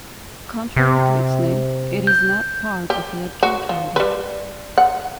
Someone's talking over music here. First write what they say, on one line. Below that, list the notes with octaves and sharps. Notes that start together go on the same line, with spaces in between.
Contrary to its name, it is not part of Yadkin County.
C3
G6
G4
F#4
F3
G3 B4
F#5